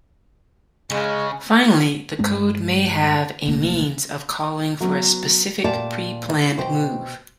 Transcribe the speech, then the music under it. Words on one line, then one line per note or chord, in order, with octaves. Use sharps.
Finally, the code may have a means of calling for a specific pre-planned move.
C#3 G#3
G2 G#3 C#4
D#1 C2 A2 A#3
F#3 B3 C#4
A#2 G4 D5 A5
B2 C5 G5